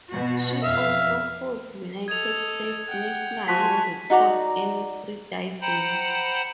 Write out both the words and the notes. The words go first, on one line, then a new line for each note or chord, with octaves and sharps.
She also holds United States national records in freediving.
B2 F#4
F2 E5 F5
A4 D#5 G#6 F7
F#5 G5
F3 F#4 C5 G#5 B6
D#4 F#4 D5 A#5
C5 F#5 G5 A#5 B5